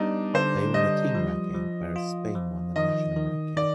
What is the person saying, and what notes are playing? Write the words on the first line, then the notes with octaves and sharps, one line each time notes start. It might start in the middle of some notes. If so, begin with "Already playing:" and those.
They won the team ranking, whereas Spain won the national ranking.
Already playing: G3 B3 D4 D#4
D3 C5
G3 D#5
F3
F3
F4
F3
D#3 D#5
D#3
D#3 D5